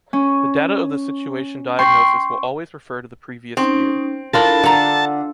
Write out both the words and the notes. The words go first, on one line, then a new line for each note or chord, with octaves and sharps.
The data of the situation diagnosis will always refer to the previous year.
C#4
G5 C6 C#6
C4 C#4 D#4
D4 E4 F4 A4 A#4 A5 B5
D3 A4 F#5 A#5